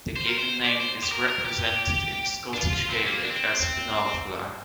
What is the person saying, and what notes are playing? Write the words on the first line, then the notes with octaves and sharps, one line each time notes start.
The given name is represented in Scottish Gaelic as Fionnlagh.
C5
A#4
C5
D5
C5
G4
A#4
A#4
G4
D4
F4
F4
C4
A#3
D4
C4